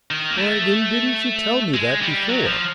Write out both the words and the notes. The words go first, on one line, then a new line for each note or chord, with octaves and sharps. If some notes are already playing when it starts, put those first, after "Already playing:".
"Why, then, didn't you tell me that before?"
D#3
A#3
A3
G#3
G3
F#3
F3